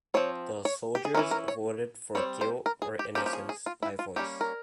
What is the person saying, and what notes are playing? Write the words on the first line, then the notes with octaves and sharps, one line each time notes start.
The soldiers voted for guilt or innocence by voice.
F3 C4 C#5
C#5
G4
G#4
E3 G#3 C#4 A#4
A#4
C#5
G3 C4 C#5
C5
A#4
G#4
G4
F3 A#3 C#4 G4
G4
G#4
G#4
F4
E4
F4
G3 A#3 C#4 G4
A#4